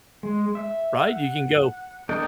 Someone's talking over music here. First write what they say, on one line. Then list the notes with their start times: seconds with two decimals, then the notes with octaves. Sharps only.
Right? You can go
0.23 G#3
0.55 E5
1.05 F#5
2.09 D4 A4 A#4 D#5 G5